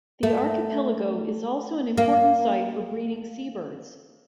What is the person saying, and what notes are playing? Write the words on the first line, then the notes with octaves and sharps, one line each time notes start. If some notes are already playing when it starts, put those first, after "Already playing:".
The archipelago is also an important site for breeding seabirds.
A3
A#3